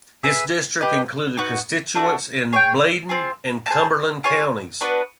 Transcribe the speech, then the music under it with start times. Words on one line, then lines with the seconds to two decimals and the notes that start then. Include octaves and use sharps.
His district included constituents in Bladen and Cumberland counties.
0.23 G#4 B4 E5
0.81 G4 B4 D#5
1.37 D#4 F#4 B4
1.95 A3 D4 F#4
2.53 G#4 C#5 E5 G5
3.09 C4 F4 G#4
3.66 F5 A5
3.70 G#4 C5
4.24 F4 G#4 C#5
4.81 B3 D4 F#4 B4